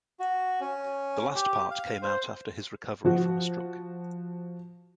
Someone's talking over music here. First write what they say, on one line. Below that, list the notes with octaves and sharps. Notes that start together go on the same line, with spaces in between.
The last part came out after his recovery from a stroke.
F#4
C#4
G4
F5
C5
F3 F#4